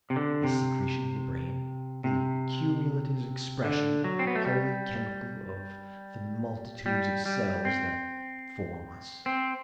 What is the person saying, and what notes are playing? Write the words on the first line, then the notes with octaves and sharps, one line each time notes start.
A secretion of the brain? The cumulative expression, wholly chemical, of the multitudes of cells that form us?
C3
D3
C3
C3
D3
F#3
C4
B3
A3
G3
G3
G3
C4
C4